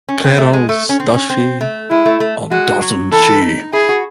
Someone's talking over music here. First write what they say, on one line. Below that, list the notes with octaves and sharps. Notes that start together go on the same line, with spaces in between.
Clairol's Does she...or doesn't she?
C#4
C4
A3
G#3
A3
C#4
C4
C#4
C4
A3
G#3 E4
A3
A3
G#3 F#4
F#3
E3 A4
D#4
E4 G#4
F#4